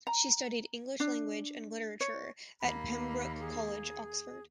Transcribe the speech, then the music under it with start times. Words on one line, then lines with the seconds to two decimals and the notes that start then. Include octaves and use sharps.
She studied English language and literature at Pembroke College, Oxford.
0.07 A#5
1.00 D4
2.00 C#5
2.61 D#2 A#3 B5
3.40 G#4